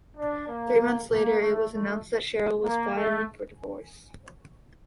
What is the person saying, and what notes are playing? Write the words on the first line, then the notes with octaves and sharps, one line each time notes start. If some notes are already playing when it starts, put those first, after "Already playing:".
Three months later, it was announced that Cheryl was filing for divorce.
D4
A#3
A#3
A3
A3
A#3
A3